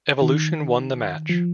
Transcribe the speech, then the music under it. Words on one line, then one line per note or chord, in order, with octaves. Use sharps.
Evolution won the match.
D#3
F3